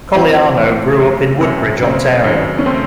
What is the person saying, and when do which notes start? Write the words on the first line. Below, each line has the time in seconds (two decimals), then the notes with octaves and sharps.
Cogliano grew up in Woodbridge, Ontario.
0.15 E3 C4
0.57 E3 A3
0.99 F#2 C#3
1.41 F#2 C3
1.82 C#3 C4
2.24 F#2 D#3
2.59 C#4
2.66 A3 C4